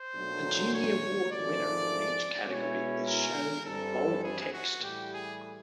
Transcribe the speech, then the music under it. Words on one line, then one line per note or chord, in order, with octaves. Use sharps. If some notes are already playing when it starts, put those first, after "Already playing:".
The Genie Award winner in each category is shown in bold text.
Already playing: C5
B1 A#2 F#3 A3 D4
C#5
G#1 G#2 F3 A3 D5
B2 G#3 C#4 E4 C#5
A#4
G2 E3 G3 C4 A4
G#4
F#4
A2 E3 G3 G4
G#4